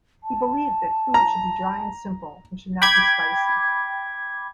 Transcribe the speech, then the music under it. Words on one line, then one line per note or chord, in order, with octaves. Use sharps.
He believed that food should be dry and simple and should not be spicy.
A5
A#5
G5 B5 D6 G#6